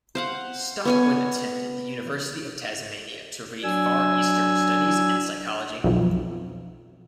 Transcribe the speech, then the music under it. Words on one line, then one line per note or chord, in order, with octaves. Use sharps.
Stockwin attended the University of Tasmania to read Far Eastern studies and psychology.
C5 F5 F#5
B3 C#5 G#5
F#3 D4 G#5 E6
B1 F2